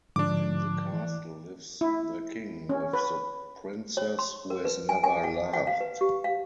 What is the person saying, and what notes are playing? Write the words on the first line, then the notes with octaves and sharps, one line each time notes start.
In the castle lives the King with the Princess who has never laughed.
G#2 D3 F3 D4 D6
E3
E4
C#4
B4
C#5
C6
A#4
B4
G#5
G#5
F#5
F#5
F5
B4
G4
F5